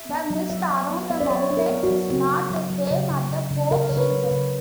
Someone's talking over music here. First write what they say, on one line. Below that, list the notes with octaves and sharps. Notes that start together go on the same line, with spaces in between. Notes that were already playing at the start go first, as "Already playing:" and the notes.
The mist around the mountains is not the same at the four seasons.
Already playing: E5
B3
F#3
F#3 E5
F#3
B3
B3 E5
D5
F#3 C#5
D4
A#4
B3
F#4
F#3
C#3 F#4
C#3
F#3
F#3
C#3
C#3
C#3
C#3
C#3 A#4
C#3 C#5
B4
F#3
B4
C#3